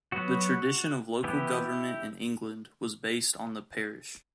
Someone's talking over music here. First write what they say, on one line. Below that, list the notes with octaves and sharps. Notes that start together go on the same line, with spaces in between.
The tradition of local government in England was based on the Parish.
F#3 B3 F#4
E3 B3 E4 G4